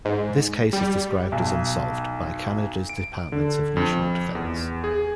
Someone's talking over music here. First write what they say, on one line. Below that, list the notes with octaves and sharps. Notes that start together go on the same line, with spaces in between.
This case is described as "unsolved" by Canada's Department of National Defence.
G#2
G3
B1
D7
D3
F2
E2
G#4